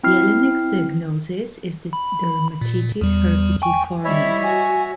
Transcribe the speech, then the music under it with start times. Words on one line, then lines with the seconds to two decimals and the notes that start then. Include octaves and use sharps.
Jelinek's diagnosis is dermatitis herpetiformis.
0.04 C4 E4 F6 C7
1.93 B5
2.61 A#2
3.01 E2 G3
3.62 G5 G#5 C#6
4.05 G3 E4 C#5 D#5 E5 B5
4.43 F#4 G#5